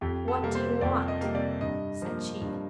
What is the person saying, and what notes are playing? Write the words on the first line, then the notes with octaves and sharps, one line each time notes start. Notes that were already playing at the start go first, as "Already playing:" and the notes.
'What do you want?' said she.
F2 G4
A4
C3 G3 A#3
C5
F2 D5
D#5
C3 G3 A#3
D5
G2 D#5
F3 A#3
G2